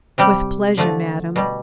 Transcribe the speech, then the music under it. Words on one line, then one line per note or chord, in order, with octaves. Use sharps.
"With pleasure, madam."
C3 G3 G4
D3 F3 A3
B2 G3